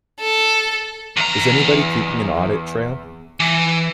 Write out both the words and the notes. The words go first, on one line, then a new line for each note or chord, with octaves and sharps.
Is anybody keeping an audit trail?
A4
E2 A#5
E3